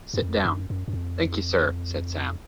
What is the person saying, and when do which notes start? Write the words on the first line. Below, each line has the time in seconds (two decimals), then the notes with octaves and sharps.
'Sit down.’ ‘Thank’ee, sir,’ said Sam.
0.14 F#2
0.22 F2
0.45 F#2
0.70 F#2
0.88 F#2
0.93 F2